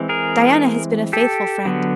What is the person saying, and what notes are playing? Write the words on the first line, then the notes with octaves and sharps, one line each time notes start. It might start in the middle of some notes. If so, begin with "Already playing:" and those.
Diana has been a faithful friend.
Already playing: E3 G#3 C4
G#4 A#4
G4 A4
D3 F#3 B3